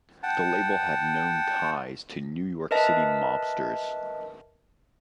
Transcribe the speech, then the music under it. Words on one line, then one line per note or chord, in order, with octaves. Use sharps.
The label had known ties to New York City mobsters.
F#5 G5 A5
A#4 B4 D#5 E5 A5